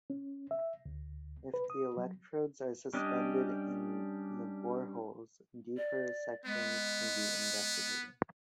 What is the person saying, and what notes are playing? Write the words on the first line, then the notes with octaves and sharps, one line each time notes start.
If the electrodes are suspended in the boreholes, deeper sections can be investigated.
C#4
E5
D2
B4
D#6
F#3
G3 C#4 D4 G4 D#5
D5
G#3 B3